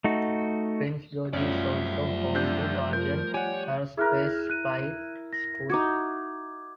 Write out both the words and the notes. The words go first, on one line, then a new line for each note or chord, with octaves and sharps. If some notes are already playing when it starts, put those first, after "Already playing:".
Prince George is also home to Guardian Aerospace Flight School.
A3 D#4 F#4
B1 F#2 F3 G3 A3 C#4 D5 E5
C3 D4 G6
A#4 G6
G4 C#5 D5 F#5 G#5
E4 G#4 A#4 F6 F#6
F#6 D#7
A#6
D#4 F#4 D6 G#6